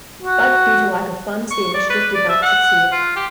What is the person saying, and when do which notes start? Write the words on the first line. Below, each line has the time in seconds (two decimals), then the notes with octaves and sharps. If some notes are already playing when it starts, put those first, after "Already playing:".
But, due to lack of funds, the initiative did not succeed.
0.23 F#4
1.51 C#6
1.74 D5
1.90 B4
2.15 D5
2.29 E5
2.43 F#5
2.92 F4
3.16 G4